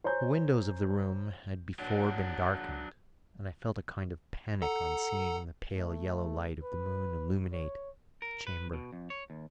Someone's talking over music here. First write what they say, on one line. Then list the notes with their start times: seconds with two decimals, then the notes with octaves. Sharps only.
The windows of the room had before been darkened, and I felt a kind of panic on seeing the pale yellow light of the moon illuminate the chamber.
0.04 C5 C#5 G#5 A#5 G6
1.79 F#3 D4
4.62 A4 F#5 A#5
5.73 A3
6.62 B4
7.53 C#5
8.22 A#4
8.47 B4
8.73 B2
8.93 F2
9.10 C#5
9.30 D#2